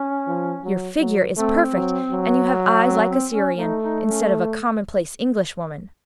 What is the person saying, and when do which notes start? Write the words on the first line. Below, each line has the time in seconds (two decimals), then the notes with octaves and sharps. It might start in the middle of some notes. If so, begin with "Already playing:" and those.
Your figure is perfect, and you have eyes like a Syrian, instead of a commonplace English woman.
Already playing: C#4
0.27 F3
0.64 F#3
1.00 F#3
1.37 A3 C4
1.73 F#3
2.11 F#3
2.84 C4
3.08 C4
3.33 C#4
3.57 A3 D#4
3.82 D#4
4.07 C#4